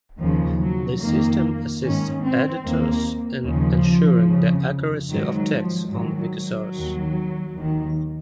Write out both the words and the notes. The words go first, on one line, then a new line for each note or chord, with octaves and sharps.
This system assists editors in ensuring the accuracy of texts on Wikisource.
D#2 C#3 F3
F#3
F2 D#3 A#3
G#2 D#3 C#4
C4
D#2 D#3 A#3
D#2 C#3 F3
F2 C#3
G#2 D#3 F#3
F3
G#2 D#3 F#3
F#3
D#2 D#3
D#2 D#3